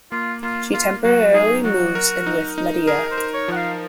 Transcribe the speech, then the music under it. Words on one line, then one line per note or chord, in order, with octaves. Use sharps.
She temporarily moves in with Madea.
A#3 F4
A#3 F4
A#3 F4
F#3 F#4
D#4 G#4
F#3 F#4
A#4
D#4
D#4
G#4 A#4
C5
A#4
C#5
F3 F#5
F5